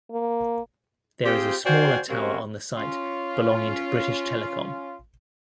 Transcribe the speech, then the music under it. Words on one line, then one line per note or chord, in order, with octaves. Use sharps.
There is a smaller tower on the site belonging to British Telecom.
A#3
C4 F4 G4 G#4 C5 G5
F#4 C5 D5 F5 G5 G#5
G3 A#3 C4 C#4 F#4
C#4 F4